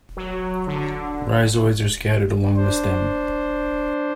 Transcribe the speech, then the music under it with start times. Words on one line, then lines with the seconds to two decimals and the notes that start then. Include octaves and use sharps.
Rhizoids are scattered along the stem.
0.17 F#3
0.67 D3
2.57 D4 C5